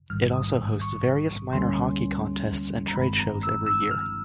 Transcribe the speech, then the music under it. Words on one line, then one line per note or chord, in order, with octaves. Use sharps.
It also hosts various minor hockey contests and trade shows every year.
A#1 G#2 D#3 G3 F6
D#6
C#6
D2 D3 G3 A#3 C#4 C6
A#5
G1 G2 D#3 G#3 C4 B5
A#5
E6
E6
F6